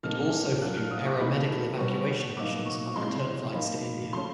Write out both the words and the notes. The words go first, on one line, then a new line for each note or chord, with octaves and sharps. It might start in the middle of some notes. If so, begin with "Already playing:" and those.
It also flew aeromedical evacuation missions on return flights to India.
A#2 F3 A3 C4 D#4 F6
F#3 A#3 D4 F4 F#6
F6
D#6
C#6
E3 A3 C4 D#4 B5
B2 G3 B3 C#6
B2 F#3 A#3 D#4 D6
C#6
F3 G#3 C4 E4 C6
F3 A#3 D#4 B5
F3 A3 C#4 C6